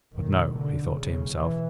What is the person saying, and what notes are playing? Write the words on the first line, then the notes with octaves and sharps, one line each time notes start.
'But no,' he thought to himself.
B1 A2 D#3
D3
B1 A2 C#3
E3